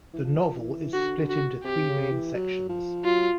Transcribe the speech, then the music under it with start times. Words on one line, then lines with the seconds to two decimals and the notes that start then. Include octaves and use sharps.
The novel is split into three main sections.
0.14 E3
0.24 F3
0.59 E3
0.93 D3 F#4
1.17 D3
1.29 F#4
1.64 C3 G4
1.88 C#3
2.11 E3
2.34 F#3
2.69 F3
3.04 F#3 F4